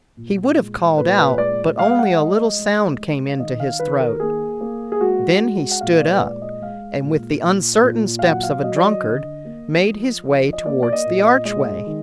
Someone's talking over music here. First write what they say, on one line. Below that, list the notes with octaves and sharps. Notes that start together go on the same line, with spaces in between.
He would have called out, but only a little sound came into his throat. Then he stood up, and, with the uncertain steps of a drunkard, made his way towards the archway.
A#2
G#3
A#2 B4
B4
G#3 D5
G#3 F5
F#5
G#3 D#5
D#5
G#3
G#3
F5
D#3 D#5
F5
D#3 B4
A#4
A#3 G#4
A#3
G#4
G#3 F#4
G#3
F#5
A#2 F5
D5
B4
G#3 D5
D#5
G#3 F5
A#2
A#2
A#2
F5
F#3 F#5
F5
F#3 D#5
D5
D#5
D3
A#3
F3
F3
D#5
A#3 D5
D5
D#5
A#2
D#5
G#3 D#5
D#3